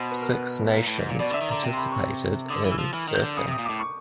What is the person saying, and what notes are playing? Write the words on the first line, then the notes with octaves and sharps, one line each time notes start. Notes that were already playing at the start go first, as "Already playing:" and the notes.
Six nations participated in surfing.
Already playing: B2 C5
B4
A#4
B4
A#2
A2
G#2
A#2
B2 D5
D3 E5
D#3
D3 A#5
C3
C6
B5
C#6
D3 D#6
E3
E6
F3
E3 F6
D#3
G6
D3
C#3 D#6
C3 D#6
A#2
A2 D6
C#6